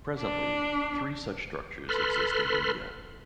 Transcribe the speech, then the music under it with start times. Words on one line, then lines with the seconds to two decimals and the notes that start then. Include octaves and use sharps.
Presently, three such structures exist in India.
0.19 D4
1.89 A4 B4 B5 C6 F6